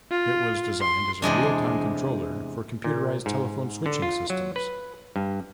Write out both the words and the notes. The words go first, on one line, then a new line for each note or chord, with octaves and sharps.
It was designed as a real-time controller for computerized telephone switching systems.
F4
C6
E2 C3 G#3 D4
A#2
G#2
D3
F4
F#3
B4
G2